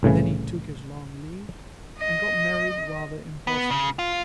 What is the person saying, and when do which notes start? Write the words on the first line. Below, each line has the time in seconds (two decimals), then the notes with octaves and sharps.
Then he took his long leave, and got married rather impulsively.
0.03 C2 A2 C#3 E3
1.99 D#5
3.47 B3
3.71 C#3
3.99 F4